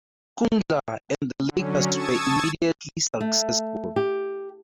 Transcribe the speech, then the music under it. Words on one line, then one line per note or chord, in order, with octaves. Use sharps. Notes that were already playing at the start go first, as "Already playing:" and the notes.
Kundla and the Lakers were immediately successful.
D3 F#3 C#4
A5 C#6 D#6 E6 G#6 A6
A3
G4